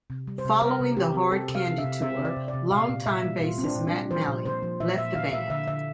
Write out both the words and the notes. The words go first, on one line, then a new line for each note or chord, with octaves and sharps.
Following the Hard Candy tour, longtime bassist Matt Malley left the band.
C3
G3
C5
C3
C3 A#4
C3
C4 G4
C4
C4 A4
C3
F5
C3
E5
C3
C4 E5
C4
D5
C3
D5
C3
A#2 F5
A#2
A#2 E5
G3
A#2 F4
C4
D4
A#2
D4
G3
F3 C5
A#2
A#3 C5
F3
A#2 E5
A#2 E5
A#2 F5
A#2 E5
D3 E5
D3 E5